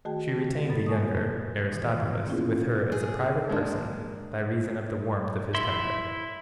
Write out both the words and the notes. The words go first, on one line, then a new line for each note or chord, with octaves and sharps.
But she retained the younger, Aristobulus, with her as a private person, by reason of the warmth of his temper.
D#3 A3 F#4 G#4 G5 A5
F#2 B2 A#3 A4 B5 A6
G#5 A5 C#6 D#6
G#2 B2 D#3 E3
A#3 B3 C#4 E4 F4 G#4
G#4
G#3 A#3 D4
E4 E5 C6